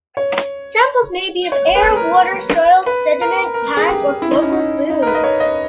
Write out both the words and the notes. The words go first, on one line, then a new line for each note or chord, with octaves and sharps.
Samples may be of air, water, soil, sediment, plants or local foods.
C#5
C#5
B4
A#4
B4
A#4
A#4
G#4
G4
E4
D#4
C#4
D#4
D#4
A#4
B4
D#5
C#5
D#5